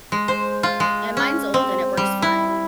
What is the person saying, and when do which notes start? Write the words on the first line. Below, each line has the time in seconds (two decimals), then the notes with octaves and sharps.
And mine's old, and it works fine.
0.12 G#3
0.28 C5
0.63 F4
0.80 G#3
1.17 C#4
1.54 C4
1.97 G3
2.22 E4